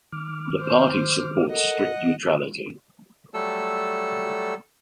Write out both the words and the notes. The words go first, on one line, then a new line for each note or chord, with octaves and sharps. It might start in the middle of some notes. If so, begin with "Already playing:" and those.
The party supportes strict neutrality.
D#3 D6 F6
C5
A4 A#4 D#5 F#5
F#3 G3 A3 A4 E6